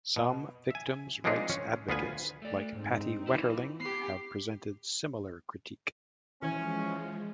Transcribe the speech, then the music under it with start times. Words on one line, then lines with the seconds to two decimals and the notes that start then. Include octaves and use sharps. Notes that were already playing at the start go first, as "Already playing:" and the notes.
Some victims' rights advocates like Patty Wetterling have presented similar critique.
0.16 B2
0.70 E5 G#5
1.24 F3 G#3 A#3 C4 D4 D#4
1.50 C#4
1.89 D2 B3 F4 B4 G#5
2.42 A3 D5
2.75 G#2 C4 D#4
3.27 E4 F4 B4
3.80 B3 G4 C7
6.42 E3 F3 G#3 C#4